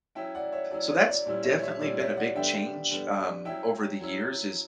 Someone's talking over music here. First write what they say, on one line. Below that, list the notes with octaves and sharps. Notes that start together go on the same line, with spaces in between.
So that's definitely been a big change, um, over the years is
F#3 C#4 E4 E5 G5
D5 F#5
C#5 E5
F#3 C#4 E4 D5
C#5
D5
A#2 G3 C#4 E4
C#5 E5
C#5 E5
A#2 G3 C#4 E4 D5
C#5 E5
D5 F#5
D3 G3 B3 D4 E5 G5
D3 G3 B3 D4
F#3 C#4 E4 E5 G5
F#3 C#4 E4